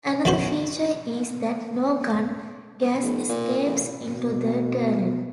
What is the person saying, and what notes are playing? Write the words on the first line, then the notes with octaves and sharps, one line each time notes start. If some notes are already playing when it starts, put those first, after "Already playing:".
Another feature is that no gun gas escapes into the turret.
E2 C#4 F#4 B4 C5
F1
A#2
A1
B2